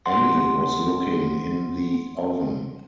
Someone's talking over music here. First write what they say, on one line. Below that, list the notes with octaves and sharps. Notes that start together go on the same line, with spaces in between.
Annie was looking in the oven.
F#5 C6